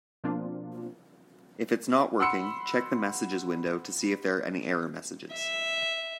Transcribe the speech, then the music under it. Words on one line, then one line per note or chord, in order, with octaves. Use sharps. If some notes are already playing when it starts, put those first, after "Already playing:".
If it's not working, check the messages window to see if there are any error messages.
B2 F3 A#3 C4 D4 F4
F#5 B5 C6 E6 C#7
E5